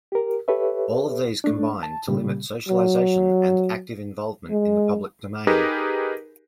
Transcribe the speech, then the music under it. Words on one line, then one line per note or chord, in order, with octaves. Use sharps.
All of these combine to limit socialization and active involvement in the public domain.
G4 A#4
G4 A4 B4 C#5 E5
A3 D4
A5
A#2 C#3 G3
F#3
G#3
D#4 G4 G#4 A#4 B4